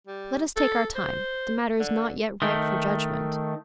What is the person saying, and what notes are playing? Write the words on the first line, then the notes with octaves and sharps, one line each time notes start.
Let us take our time, the matter is not yet ripe for judgment.
G3
A4
C5
D3
D#3 A3